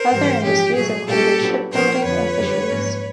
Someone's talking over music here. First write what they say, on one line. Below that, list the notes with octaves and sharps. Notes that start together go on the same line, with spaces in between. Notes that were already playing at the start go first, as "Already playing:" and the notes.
Other industries included shipbuilding and fisheries.
Already playing: A#4 C5
G#2 E3 G3
A#2 F3 G#3 C#4 G4
A#2 F#3 A3 G#4
A#2 G3 A#3 C#4 G4 A4
A#2 F#3 B3 D4
A#2 F3 A#3 C#4 A#4 C5
F2 D3 F3 B4 C#5
F#2 D3 G3
G#2 F3 A#3 C#4